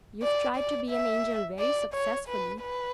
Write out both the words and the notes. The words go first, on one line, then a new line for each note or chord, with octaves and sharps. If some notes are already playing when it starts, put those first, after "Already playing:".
'You've tried to be an angel very successfully.'
D5
D5
E5
D5
C#5
B4
B4